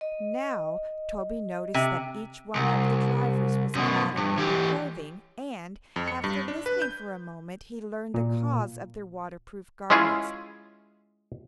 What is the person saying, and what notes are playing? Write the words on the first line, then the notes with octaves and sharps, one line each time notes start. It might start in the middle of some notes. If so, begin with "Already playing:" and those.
Now, Toby noticed that each one of the drivers was clad in rubber clothing, and, after listening for a moment, he learned the cause of their water-proof garments.
D#5
C3
C2
F#2 B2
G2
E3 G4
F2
C#7
G2
D4
B4
G6
A#2
G#3 C#4 E4 F4 G#4